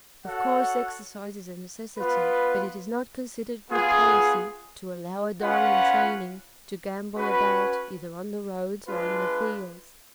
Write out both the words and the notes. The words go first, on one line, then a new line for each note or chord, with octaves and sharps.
Of course exercise is a necessity, but it is not considered good policy to allow a dog in training to gambol about either on the roads or in the fields.
F#4 A4 C#5 F#5
B3 F4 B4
B3 F4 G#4
C#4 F4 B4 F#5
C#4 F#4 B4
G#3 D4 F4 B4